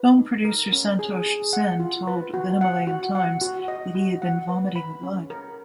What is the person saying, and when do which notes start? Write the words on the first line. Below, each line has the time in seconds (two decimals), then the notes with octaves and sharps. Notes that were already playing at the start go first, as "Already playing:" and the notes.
Film producer Santosh Sen told "The Himalayan Times" that he had been vomiting blood.
Already playing: B4
0.18 D#4
0.45 A#4
0.72 C#4
0.99 G#4
1.26 G#4
1.53 F#5
1.80 F4
2.07 B4
2.34 F#4
2.61 F#5
2.87 F#4
3.15 F#5
3.41 F#4
3.68 D#5
3.95 F#4
4.22 F#5
4.49 B4
4.76 B5
5.03 C#4
5.30 A#4